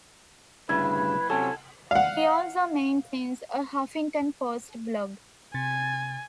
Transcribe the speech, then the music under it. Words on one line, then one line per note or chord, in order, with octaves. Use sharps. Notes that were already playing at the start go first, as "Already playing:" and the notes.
He also maintains a "Huffington Post" blog.
D2 G2 C#3 E4 B4
C3 F#3 C#4 A4
F5 F#5
C3 G#5 A6